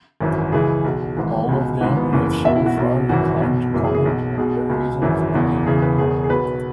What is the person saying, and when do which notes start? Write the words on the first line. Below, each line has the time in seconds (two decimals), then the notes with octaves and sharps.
All of them have so far declined to comment on their reasons for leaving.
0.21 G#1 F#2 E3
0.52 C#2 C#3 E3 G#4
0.84 B1 B2
1.17 G#1 G#2 E3
1.49 C#2 B2
1.81 G#1 G#2 E3 F#4
1.97 B3
2.13 F#1 E2 E3 C#4
2.45 B1 E5
2.49 B2
2.56 E4
2.66 F#4
2.77 B1 B2
3.09 G#1 F#2 E3 F#4
3.41 B1 B2
3.73 F#1 F#2 E3
3.84 G#4
3.95 G#4
4.05 B1 B2
4.38 B1 B2 G#4
4.70 C#2 B2
5.02 G#1 F#2 E3
5.34 E1 E2 C#3 E3
5.66 E1 E2 C#3 E3 G#4
5.82 B4
5.98 E1 E2 C#3 G#4
6.24 G#4
6.30 B1 B2 B4